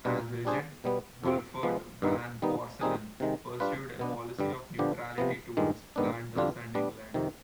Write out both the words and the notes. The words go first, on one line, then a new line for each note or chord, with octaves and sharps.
As regent, Wolfert van Borselen, pursued a policy of neutrality towards Flanders and England.
B2 G3 D4 G4 B4
G3 D4 G#4 C5
B2 G3 B3
F2 C3 F3 C4
F3 G#3 B3
G2 D#3 B3 D#4
D#3 G3 B3 D#4
D#3 G3 C4 D#4 G#4
C3 D#3 G#3
G3 D4 F4 B4
B2 B3 D4
G2 D3 G3
D3 F3 B3 D4 G4
C3 F3 B3
G2 D#3 G#3
G#2 D#3 B3 D4
F2 D3 G3 D4 F4
G3 B3 D4
F2 C3 D#3